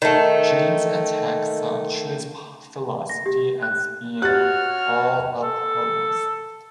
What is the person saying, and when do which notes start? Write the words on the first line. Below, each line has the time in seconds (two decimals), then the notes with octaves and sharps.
James attacks Sartre's philosophy as being "all a pose".
0.02 D#3 A3
3.10 A#6
3.26 G4
3.63 F#6
4.22 F#4 G4 C#5 F6 F#6 A6
5.43 A4